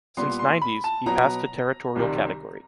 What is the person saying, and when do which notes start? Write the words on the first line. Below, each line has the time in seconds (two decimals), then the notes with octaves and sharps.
Since ninety's, he passed to territorial category.
0.17 A#2 G3 B3 C6
0.39 C6
0.61 B5
0.84 A5
1.06 B2 F#3 B3 A#5
1.96 C2 C3 D#3 G3 C4